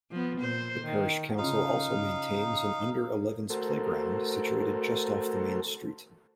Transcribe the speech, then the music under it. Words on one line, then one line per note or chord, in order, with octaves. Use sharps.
The parish council also maintains an under-elevens playground, situated just off the main street.
F3 B3
A#2 C5
D#3
C#3 D#4 F4 F5
A3 F#4 A4 A#4 C5